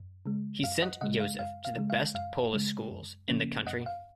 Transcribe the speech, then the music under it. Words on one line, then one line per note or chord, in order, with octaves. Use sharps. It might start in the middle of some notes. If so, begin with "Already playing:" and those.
He sent Yosef to the best Polish schools in the country.
Already playing: F#2
C#3 G#3
F#2 F5
D#5 F#5
C#3 G#3 D#5 F#5
F5
F#2 F5
F5
C#3 G#3
F5
F#2 F5
C#3 G#3
F#2
C#3 F3 A#3 C#4
F#2 D#5 F#5
F5